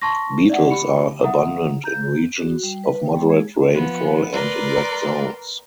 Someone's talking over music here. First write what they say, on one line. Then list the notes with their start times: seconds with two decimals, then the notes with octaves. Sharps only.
Beetles are abundant in regions of moderate rainfall and in wet zones.
0.02 A5 C6 C#6 A#6
0.49 D5 E5 F#5
0.70 G4 B5 C#7
1.24 E5 F#5 A#5 D#6
1.84 A#5 G6
2.39 F#4
2.63 G3
2.84 B4
3.02 G5
3.17 G#3
3.29 G#4
3.73 F3 B3
4.33 A#4 B4 D5 C6